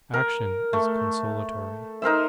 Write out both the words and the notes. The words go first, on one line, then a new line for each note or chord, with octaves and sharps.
Action is consolatory.
A#4
A3
D#4 A#4 C5 E5